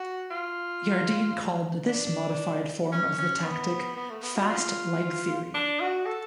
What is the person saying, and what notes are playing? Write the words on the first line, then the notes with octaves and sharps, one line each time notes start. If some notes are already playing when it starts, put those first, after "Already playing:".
Jardine called this modified form of the tactic "fast leg theory".
Already playing: F#4
F4
D4
C#4
C#4
B3
B3
A3
B3
F#4
F4
D4
F#4
A4